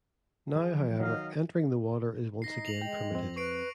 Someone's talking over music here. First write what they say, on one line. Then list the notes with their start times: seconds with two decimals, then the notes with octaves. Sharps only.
Now, however, entering the water is once again permitted.
0.56 E3 F3 G#4
1.00 D#3 F#3 D#5 F5
2.42 D#4 A#6 C7
2.65 F7 F#7
2.82 G#3 G5
3.12 F2 C4
3.36 B4 C#6 C7 D7